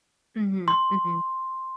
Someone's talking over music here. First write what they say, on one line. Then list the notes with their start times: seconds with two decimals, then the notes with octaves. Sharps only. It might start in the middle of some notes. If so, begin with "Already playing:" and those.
Mhm, mhm.
0.68 C6